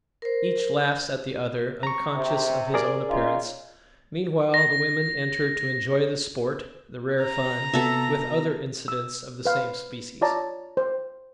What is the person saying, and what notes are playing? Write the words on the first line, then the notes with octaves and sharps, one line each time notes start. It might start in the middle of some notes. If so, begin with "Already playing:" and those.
Each laughs at the other, unconscious of his own appearance; meanwhile the women enter to enjoy the sport, "the rare fun," with other incidents of the same species.
A#4 C5
A#5 C#6
C3
G#4 A#4 D5
C#4 D#4 F4
A#6
A#5
C3 B3 F#4 A4 E5
E6
B4 F5
F4 C#5 D5 A5 A#5
C5